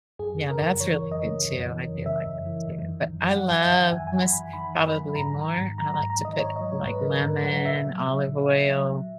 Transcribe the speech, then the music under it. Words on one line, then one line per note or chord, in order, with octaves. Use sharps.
Yeah, that's really good, too, I do like that, too, but I love hummus, probably more. I like to put, like, lemon, olive oil,
F#2 G#4
C#3
A#4
F#2
E3 C#5
F#2
D#5
C#3
F#2
E3
F#2
C#3 E5
F#2
E3
F#2
D#3
F#2
F#3 F#5
F#2
E5
D#3
F#2 G#5
G#5
F#3
B5
F#2
D#3 B5
F#2
B5
F#3
G#2 A#5
D#3
G#2
F#3 A#5
A#5
G#2
A#5
D#3
D#5
G#2 C#5
D#5
F#3
C#5
G#2
B4
D#3 A#4
G#2 A#4
F#3 F#5
A#2 E5
F#3
F#3
A#2
A#2
F#3
F#3